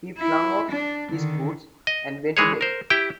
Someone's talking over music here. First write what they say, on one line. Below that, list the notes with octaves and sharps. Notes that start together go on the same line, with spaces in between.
He flung off his boots and went to bed.
E4
D4
D3 D#3
D#5
E3 G#3 G#4 C#5
A#4 C5
E4 G4 G5